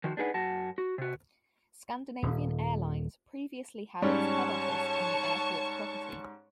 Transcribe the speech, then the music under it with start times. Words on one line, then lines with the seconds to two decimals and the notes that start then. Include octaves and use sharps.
Scandinavian Airlines previously had its head office on the airport property.
0.04 D#3 F3 F#4
0.17 D4 D#4 G#4 B4 F#5
0.34 F#2 F#4 A5
0.78 F#4
0.98 C3 F#4
2.23 D#1
4.02 G#2 G3 C#4 C#5 A5 C#6